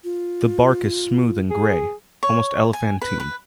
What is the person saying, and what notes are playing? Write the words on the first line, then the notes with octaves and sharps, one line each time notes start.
The bark is smooth and grey, almost elephantine.
F4
G#4
C#5
G#5
B4
B4